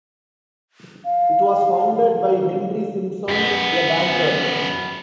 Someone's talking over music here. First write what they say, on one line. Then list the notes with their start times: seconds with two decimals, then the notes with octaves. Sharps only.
It was founded by Henry Simpson, a banker.
1.05 F5
3.29 F#2 B3